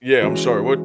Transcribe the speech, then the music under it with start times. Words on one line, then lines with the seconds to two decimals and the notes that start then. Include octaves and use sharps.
Yeah, I'm sorry, what?
0.22 E3 G#3 C#4 F#4